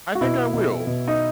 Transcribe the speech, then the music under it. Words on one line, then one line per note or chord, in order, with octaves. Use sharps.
I think I will.
F#4
B2 E4
B2
B2
D#4